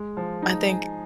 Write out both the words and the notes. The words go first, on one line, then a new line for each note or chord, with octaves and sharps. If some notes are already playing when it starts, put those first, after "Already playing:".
I think
Already playing: G#3
F3
D#4
G#4